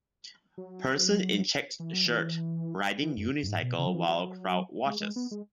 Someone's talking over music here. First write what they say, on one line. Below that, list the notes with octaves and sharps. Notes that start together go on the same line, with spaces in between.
Person in checked shirt riding unicycle while crowd watches.
F#3
E3
F#3
E3
E3
F#2
F#2
G#2
B2
C#3
F#3
E3
F#3
G#3
G#3
B3
G#3